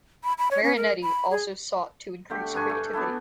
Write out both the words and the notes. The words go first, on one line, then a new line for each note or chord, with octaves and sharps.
Marinetti also sought to increase creativity.
B5
B5
C#5
C#4
A#4
B5
G#4
D3 A3 G4
G2 D4 G#5 C#6
A3
B3 D4 E4 A4